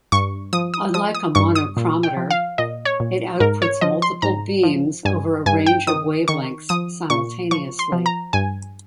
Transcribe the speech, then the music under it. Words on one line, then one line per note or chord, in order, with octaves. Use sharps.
Unlike a monochromator, it outputs multiple beams over a range of wavelengths simultaneously.
G2 C#6
F3 D#6
D#6
F3 D#6
D#6
G2 C#6
D#6
A#2
G5
F3
F5
A#2 D#5
C#5
A#2
G#2 A#4
C#5
F3 D#5
C6
G#2 A#5
F3
G2 G#5
G2 G#5
G5
D#3 D#6
D#3 C#6
F3 D#6
A#2 C#6
F3 C#6
C6
F3
A#5
G2 G#5